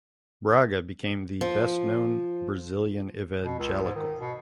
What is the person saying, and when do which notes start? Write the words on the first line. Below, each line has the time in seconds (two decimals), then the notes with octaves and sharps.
Braga became the best known Brazilian evangelical.
1.41 F3
3.44 B2
3.59 C#2
3.83 G#2
3.95 D#3
4.19 B2